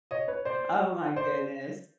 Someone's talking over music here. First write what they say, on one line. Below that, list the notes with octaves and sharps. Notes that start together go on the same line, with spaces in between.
Oh my goodness.
C#5 D#5
B4 C#5
C5 D5
C5 D5